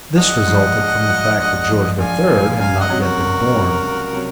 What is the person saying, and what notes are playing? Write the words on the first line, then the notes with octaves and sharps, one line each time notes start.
This resulted from the fact that George III. had not yet been born.
A#1 D#5 F#5
G#2 F3
A#1
G#2 F3
A#1
G#2 F3
A#1 F5 G#5
G#2 F3
C#2 F5 G#5
D#5 F#5
C3 F#3
F#4 A#4
C#2
C3 F#3
C#2
C3 F#3